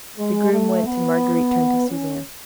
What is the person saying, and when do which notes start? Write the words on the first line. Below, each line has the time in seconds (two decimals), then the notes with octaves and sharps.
The groom went, and Marguerite turned to Suzanne.
0.18 G#3
0.52 A3
0.86 B3
1.89 C#4